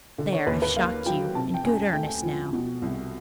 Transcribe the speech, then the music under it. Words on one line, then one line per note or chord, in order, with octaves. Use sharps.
There, I've shocked you in good earnest now.
D3
C#5
D#2 B4
B4
A#3 F5
F#3 G5
C3 A5
G5
C#2 G#5
A3 G5
F3
B2
C2